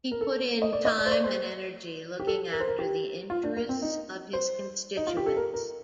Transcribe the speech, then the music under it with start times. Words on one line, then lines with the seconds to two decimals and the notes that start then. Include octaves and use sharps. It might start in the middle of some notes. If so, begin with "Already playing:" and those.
He put in time and energy looking after the interests of his constituents.
0.12 A#4
0.21 A4
0.62 D#5
0.73 D5
0.85 D#5
0.98 D5
1.06 C5
1.11 D5
1.24 C5
2.20 G4
2.27 A4
2.53 A#4
2.60 C5
2.68 A#4
2.79 G4
3.30 F4
3.43 D4
3.56 A#3
3.69 C4
3.82 D#4
4.33 C5
4.97 D#4
5.07 F4
5.17 G4
5.26 A4
5.37 A#4
5.54 A#4